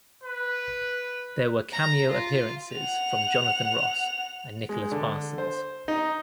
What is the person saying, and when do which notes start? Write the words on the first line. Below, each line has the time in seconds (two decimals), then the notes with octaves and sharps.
There were cameo appearances from Jonathan Ross and Nicholas Parsons.
0.24 B4
1.72 A#5
2.10 F4
2.73 F#5 F7
4.69 G#3
4.92 D3
5.38 C5
5.88 D#4